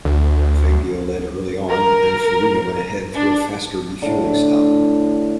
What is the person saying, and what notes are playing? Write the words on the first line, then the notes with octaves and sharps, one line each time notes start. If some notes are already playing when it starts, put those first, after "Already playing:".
Fangio led early on but then Farina went ahead through a faster refuelling stop.
D2
A#4
D4
A2 D3